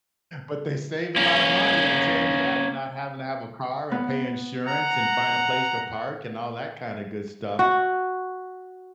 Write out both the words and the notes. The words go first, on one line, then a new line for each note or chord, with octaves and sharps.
But they saved a lotta money, I tell you that, and not having to have a car, and pay insurance, and find a place to park, and all that kinda good stuff,
A#3 C#4
B3
F#5 A#5
F#4